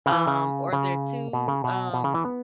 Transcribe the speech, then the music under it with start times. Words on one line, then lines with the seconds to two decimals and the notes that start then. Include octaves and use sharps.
um, or they're too, um,
0.06 C#3
0.12 E3
0.27 C#3
0.73 C#3
1.33 B2
1.48 C#3
1.64 B2
1.94 B2
2.04 C#3
2.14 E3
2.25 B3